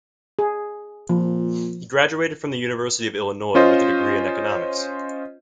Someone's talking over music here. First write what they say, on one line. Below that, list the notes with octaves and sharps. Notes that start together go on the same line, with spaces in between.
He graduated from the University of Illinois with a degree in Economics.
G#4
A#2 F3
C#4 F4 C5 D#5